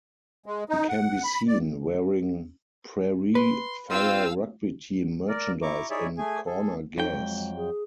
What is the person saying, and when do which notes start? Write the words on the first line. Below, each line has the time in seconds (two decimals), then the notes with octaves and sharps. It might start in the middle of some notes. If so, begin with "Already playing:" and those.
He can be seen wearing Prairie Fire rugby team merchandise in "Corner Gas".
0.46 G#3
0.69 D#4
0.89 F#5
1.24 B5
1.48 D5
3.35 B4 C6
3.90 C4 F4 F5 E6
5.29 A#4 D5
5.62 E4 A#5 C#6 D6
5.90 D#4 E4 G#4 C#5 D5 E5
6.18 A3 G#4 G#5
6.46 G#4 A4
6.98 F2 F#3 D#4 G5
7.11 G#3
7.56 G#4